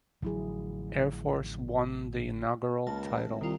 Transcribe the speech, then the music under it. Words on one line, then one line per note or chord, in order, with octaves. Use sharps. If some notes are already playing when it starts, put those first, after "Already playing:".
Air Force won the inaugural title.
A1 D3 F3 F#3 E4 G#4
C#2 A#3 A5
G#1
C2 D#3 F4